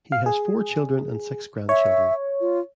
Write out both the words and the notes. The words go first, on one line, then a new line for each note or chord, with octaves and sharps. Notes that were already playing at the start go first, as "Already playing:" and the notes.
He has four children and six grandchildren.
F5
G#4
C#5 E5
F4